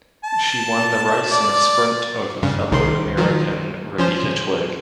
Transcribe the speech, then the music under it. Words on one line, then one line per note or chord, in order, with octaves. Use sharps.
She won the race in a sprint over fellow American Rebecca Twigg.
A5
D5
G2 C#3
C2 D#3 C6
D#3 F3 F#3
F3 C#4 C5